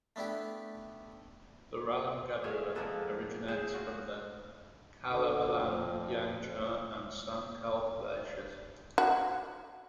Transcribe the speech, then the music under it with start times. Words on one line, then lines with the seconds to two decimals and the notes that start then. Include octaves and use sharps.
The Ralam Gad River originates from the Kalabaland, Yangchar and Sankalp glaciers.
0.16 A3 B3 D4 E4 G4
2.44 F4 G#4 C#5 E5
2.75 F3 G#3 A#3 B3 A4 B4
3.48 G#4 C5 E5
3.74 F4 F#4
5.12 D3
5.60 F2
8.98 F#4